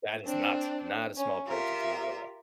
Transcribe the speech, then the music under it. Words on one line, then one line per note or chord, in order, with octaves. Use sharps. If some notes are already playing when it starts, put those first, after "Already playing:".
that is not, not a small purchase, not at all,
C4 D4
C#4
F4 G4 A#4 E5